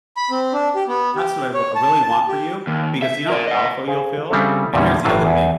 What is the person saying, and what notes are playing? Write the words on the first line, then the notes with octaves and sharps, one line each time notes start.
That's what I r really want for you because, you know how powerful you'll feel, and here's the other thing.
B5
C4
D4
G4
B3
G4
C#5
A5
A5
G4
D#2
E5
A#4 D5
D#5 F#5
G#4 C5 F5
C#3 G3 C4 D4 E4 A4
E2 A#2 D3 D#3 G3 C#4
G1 A2 E3 F#3 F4
E2